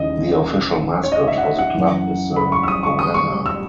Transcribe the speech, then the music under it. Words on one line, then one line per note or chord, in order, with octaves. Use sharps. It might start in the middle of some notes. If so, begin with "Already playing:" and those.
The official mascot for the club is the goanna.
Already playing: D#2 C#3 E3 D#5
C#5
D#5
E5
F#5
E5
F#5
F#2 E3
B5
C#6
E6
D#6
C#6
D#6
C#6
E6